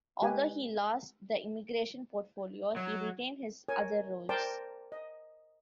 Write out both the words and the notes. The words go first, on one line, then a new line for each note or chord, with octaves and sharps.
Although he lost the immigration portfolio, he retained his other roles.
G#3 G4 B4 D#5 G#5
F#3
A#4 C#5 G#5
A#4 C5 D5 G5 A5
D#5